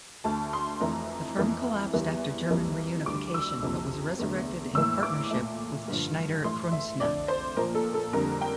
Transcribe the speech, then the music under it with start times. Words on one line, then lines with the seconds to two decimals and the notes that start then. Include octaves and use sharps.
The firm collapsed after German reunification but was resurrected in partnership with Schneider Kreuznach.
0.24 D2 D3 A3 A5
0.53 C6
0.80 F2 E3 A3 A#5
1.37 F2 E3 A#3
1.94 E2 E3 G3
2.49 F2 E3 G3 A#3
3.06 D2 D3 G3 D6
3.34 E6
3.62 F2 C3 F3 A#3
4.19 E2 D3 A3
4.75 A2 E3 A#3 E6
5.03 D6
5.31 A#2 A3
5.88 G2 D3 F3
6.44 A2 E3 A3 C6
6.72 E5
7.00 F2 D3 A3 D5
7.28 C5
7.56 A#2 F3 A#3 A#4
7.75 A4
7.94 A4
8.13 F2 D3 G3 A#3 A#4
8.41 G5